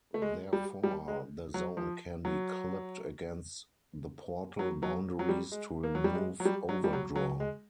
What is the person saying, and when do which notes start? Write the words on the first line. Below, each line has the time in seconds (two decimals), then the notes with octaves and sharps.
Therefore, the zone can be clipped against the portal boundaries to remove overdraw.
0.14 A3
0.22 G#3
0.53 G3
0.83 G3
1.08 G#3
1.54 F#3
1.77 F3
2.25 F#3
4.59 F#3
4.83 F#3
5.19 F#3
5.29 G3
5.52 G#3
5.84 A#3
5.95 F#3
6.04 G3
6.14 G#3
6.40 F#3
6.45 G3
6.69 F#3
6.84 G3
6.93 F#3
7.16 F#3
7.40 G#3